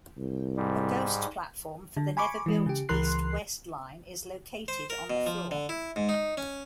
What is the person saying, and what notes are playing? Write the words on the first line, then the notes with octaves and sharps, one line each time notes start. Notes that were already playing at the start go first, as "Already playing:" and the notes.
A ghost platform for the never built east-west line is located on the floor.
C2
G#2 G3
D3
G#5 B5 C#6 D6
E3 G#3
C#3 G4
C#2 E3 A#4 C6 F#6 C7
C5
A#4
B2
F3
D3
E4
G#2
D#4
C#4